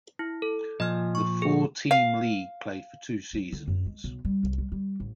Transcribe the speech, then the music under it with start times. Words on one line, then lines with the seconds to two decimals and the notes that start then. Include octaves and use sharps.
The four–team league played for two seasons.
0.19 E4
0.42 A4
0.80 A#2 F3 D#5 F6
1.15 C#6
1.42 G#4
1.91 F5
3.33 F#3
3.53 D3
3.68 F#2
3.86 G#3
4.04 B1
4.25 G3
4.43 C2
4.58 G3
4.72 G3
5.00 A1